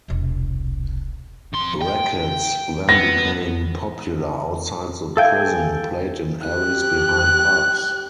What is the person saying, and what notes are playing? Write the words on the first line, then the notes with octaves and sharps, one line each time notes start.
Rackets then became popular outside the prison, played in alleys behind pubs.
E1 C2
F2 C6
G5
B3 A#6
A4 E5 F5 G5 G#5
G4 F#6